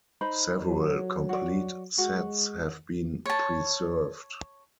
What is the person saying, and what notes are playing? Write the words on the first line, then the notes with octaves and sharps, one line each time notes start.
Several complete sets have been preserved.
D#4 C5 B5
F#3
F#4 D5
G#3 F#4
C#5 A5